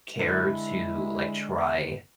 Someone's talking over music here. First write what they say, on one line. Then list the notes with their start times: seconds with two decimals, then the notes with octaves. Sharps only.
care to, like, try
0.19 D3 G#3 D4 E4